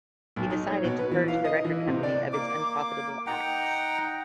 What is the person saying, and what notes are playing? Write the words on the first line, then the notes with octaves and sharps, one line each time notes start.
He decided to purge the record company of its unprofitable acts.
B1
D#4
C#5
B2
B4
E3
F5
D#5
E3
C3
D5
A#3 D6
D#4 F#5 G5 A#5